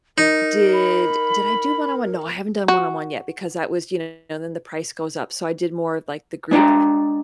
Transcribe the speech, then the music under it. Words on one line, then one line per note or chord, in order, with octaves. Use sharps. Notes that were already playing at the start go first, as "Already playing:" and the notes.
did Did I do one-on-one? No, I haven't done one-on-one yet, because that was, you know, then the price goes up, so I did more of, like, the group,
D#4 A#4
B5
F#4
G#3 D4 G5 A#5